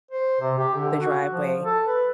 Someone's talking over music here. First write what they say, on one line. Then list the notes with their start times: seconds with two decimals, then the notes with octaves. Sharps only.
the driveway,
0.11 C5
0.41 C3
0.58 G4
0.75 D3
1.00 F#4
1.30 F3
1.64 A4
1.87 B4